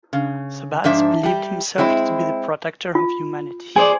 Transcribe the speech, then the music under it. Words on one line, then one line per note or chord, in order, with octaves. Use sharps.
Sabbath believed himself to be the protector of humanity.
C#3
G#2 F3 D4 E5
G3 G4
G#3 C4 E4
F4
G#4 C5 D5 G#5